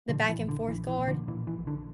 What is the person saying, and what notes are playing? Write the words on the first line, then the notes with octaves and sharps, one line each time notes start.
The back-and-forth guard.
A#2 D3 F3
E3
A#1
D3
A#1 E3
E3
A#2
D3 F3
A#2 E3
E3
A#1
D3